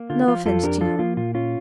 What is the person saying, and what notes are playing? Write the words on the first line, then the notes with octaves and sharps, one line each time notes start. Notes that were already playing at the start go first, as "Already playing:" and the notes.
No offence to you.
Already playing: A#3
D3 F4
F3 F4
F2 F4 A4
D4 G4 A#4
F3 F4 A4
A#3 F4
A#2 F4
C#4 F4